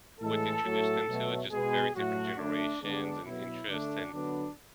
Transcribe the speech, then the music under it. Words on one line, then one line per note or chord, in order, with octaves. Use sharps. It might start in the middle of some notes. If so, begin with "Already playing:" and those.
would introduce them to, it's just very different generations, and interests, and
A2 E3 G#3 A4
A2 F#3 A3
B2 F#3 A3
B2 G#3 B3 G#4
A2 F#3 A3 F#4
D3 A3 D4
D3 G#3 B3 D4
B2 F#3 B3 E4
D3 A3 D4
D3 F#3 B3 D4